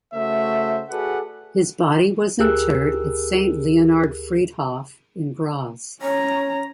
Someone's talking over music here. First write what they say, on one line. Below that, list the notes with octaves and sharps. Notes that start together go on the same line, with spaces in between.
His body was interred at Saint Leonhard-Friedhof in Graz.
C#3 A3 F#4 C5 E5
F#4 G#4 A4 B4 D5 F#5
D2 G4 G#4 A#4 E6 F#6
C#4 C#5 A#5